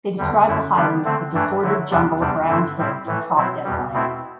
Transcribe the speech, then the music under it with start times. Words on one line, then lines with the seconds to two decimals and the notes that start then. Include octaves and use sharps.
They described the highlands as "a disordered jumble of round hills with soft outlines".
0.18 E2 D3 G3
0.47 F#2 D3 A3 E4
0.76 D3 G3 B3 D4
1.05 D3 A3 C4
1.33 G2 E3 A3 D4
1.62 D3 F#3 A3 E4
1.91 E2 C3 G3 B3 D4
2.20 E2 C3 G3 D4
2.48 G2 D3 A3 C4 E4
2.78 A2 G3 C4 E4
3.06 A2 E3 A3
3.35 B2 F#3 C4 E4
3.64 E2 B2 G3
3.93 B2 A3 C4 E4